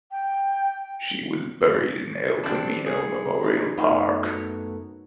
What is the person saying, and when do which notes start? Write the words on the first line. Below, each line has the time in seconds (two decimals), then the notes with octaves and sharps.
She was buried in El Camino Memorial Park.
0.11 G5
2.43 G3 C4 D4
2.86 G#4
3.43 D#4 F5
3.78 F#2 A3 B3 D#4 F5 B5
4.23 F#4 A#4 C#5